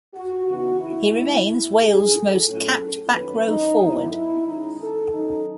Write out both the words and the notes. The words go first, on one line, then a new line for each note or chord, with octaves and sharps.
He remains Wales most capped back row forward.
F#4
C#3 E3 B3 D#4 F#4
E4
B2 A3 D#4
G#2 F#3 C#4 G#4
A4
A2 F#3 C#4
D#3 F#3 C#4 B4
D#4
G#2 F#3 B3 D#4 E4
E4
D#3 G#3 C#4 D#4
A4
D#3 F#3 C#4 D#4